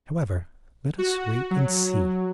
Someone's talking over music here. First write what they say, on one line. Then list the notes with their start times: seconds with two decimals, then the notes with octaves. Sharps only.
However, let us wait and see.
0.98 F#4
1.51 F#3